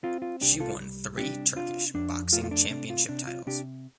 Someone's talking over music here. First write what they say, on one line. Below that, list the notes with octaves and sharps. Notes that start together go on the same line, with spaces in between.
She won three Turkish Boxing Championship titles.
C4 F4
F4
C2 D4 G4
F4 A4
G3
C3 D4 G4
D4 F4
F2 D4
A3 F4
F4
D4
C3 D4
F4
C3 D4
F4
C3 D4 G4